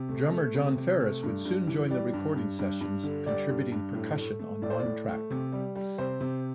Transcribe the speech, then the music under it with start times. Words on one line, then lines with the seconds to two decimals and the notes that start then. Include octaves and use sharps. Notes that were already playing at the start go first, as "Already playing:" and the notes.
Drummer Jon Farriss would soon join the recording sessions, contributing percussion on one track.
Already playing: C3
0.09 A3
0.32 A3
0.54 C3
0.77 C3
1.00 A3
1.23 G2
1.45 G2
1.67 E3
1.90 G3 D5
2.13 G2
2.36 G2
2.59 G2
2.81 G2
3.03 D3
3.26 G3 D5
3.49 G2
3.72 G2
3.94 A2
4.17 A3
4.39 A3
4.62 A2 D5
4.70 C5
4.79 D5
4.85 A2
5.08 A3
5.30 C3
5.52 G3
5.75 G3
5.98 C3 C5
6.20 C3